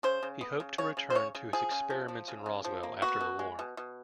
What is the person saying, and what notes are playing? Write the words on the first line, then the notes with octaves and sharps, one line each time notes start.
He hoped to return to his experiments in Roswell after the war.
C#3 C5
C#3
B3
C#3
C#3 C#5
C#3
C5
C#3 C#5
C#3
F3 G#4
C#3
F3
F3
C#3
C#3
F3
A#3
B3 F#4
B2
G#3
B2
B2